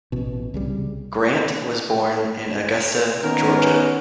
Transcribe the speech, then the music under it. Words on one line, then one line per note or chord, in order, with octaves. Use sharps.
Grant was born in Augusta, Georgia.
A1 B2
C2 C#3 G3
D#3 B3 C#4 A#4